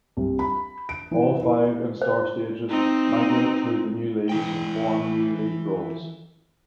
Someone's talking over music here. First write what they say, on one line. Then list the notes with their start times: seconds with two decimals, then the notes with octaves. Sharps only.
All five instar stages migrate to the new leaves and form new leaf rolls.
0.17 C2
0.39 B5
0.89 D7
1.11 E3
1.42 E4
2.02 C5
2.69 C4 D#4
4.29 E3 E4 G5